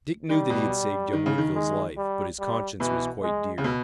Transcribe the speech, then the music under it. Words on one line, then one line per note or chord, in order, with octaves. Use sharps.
Dick knew that he had saved young Woodville's life, but his conscience was quite dear.
D#3 G3
B2
D#3
C#3
D#3
G#3
G3
G3
B2 E3
G#3
C#3
B2